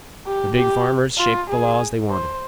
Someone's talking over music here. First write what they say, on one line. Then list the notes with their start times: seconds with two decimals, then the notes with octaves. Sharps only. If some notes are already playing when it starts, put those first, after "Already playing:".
The big farmers shaped the laws they wanted.
0.27 G4
0.57 G4
1.18 F4
1.49 G#4
2.10 C5